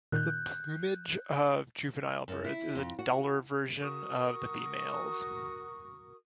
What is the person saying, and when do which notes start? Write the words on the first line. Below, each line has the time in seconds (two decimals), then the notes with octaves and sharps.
The plumage of juvenile birds is a duller version of the female's.
0.12 A#2 D#3 F#6 G6
2.28 F#2
2.44 E4
2.75 F2
2.99 F#4
3.81 F#4 A#4 C#6 D#6